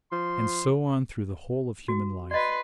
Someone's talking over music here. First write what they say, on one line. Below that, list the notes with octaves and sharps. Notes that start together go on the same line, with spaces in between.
And so on through the whole of human life.
F3 C6
F#4
B4 D5 D#5 C6